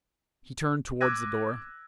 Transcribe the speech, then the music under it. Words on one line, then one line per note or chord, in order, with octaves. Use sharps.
He turned towards the door.
D6 E6 F#6 G#6 A#6 D#7